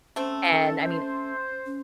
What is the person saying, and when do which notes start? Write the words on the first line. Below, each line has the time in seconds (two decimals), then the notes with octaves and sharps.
And, I mean,
0.16 A3 C4 C#4
0.51 A4
0.83 C5
1.66 C#4